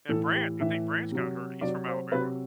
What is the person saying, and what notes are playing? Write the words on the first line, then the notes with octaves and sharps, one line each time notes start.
And Bran I think Branch got hurt. He's from Alabama.
A2 E3 A4
G4
A2 E3 E5
C3 F#3
C3 F#3 D5
C5
C3 F#3 B4